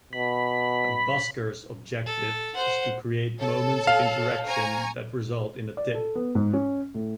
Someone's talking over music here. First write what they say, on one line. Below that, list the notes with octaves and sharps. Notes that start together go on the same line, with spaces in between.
A busker's objective is to create moments of interaction that result in a tip.
B2 B5
A4
C5 F#5
A4 C#5
F5
C5 G#5 A#5 C#6
D5
A4
B3
G#2
C#4
A2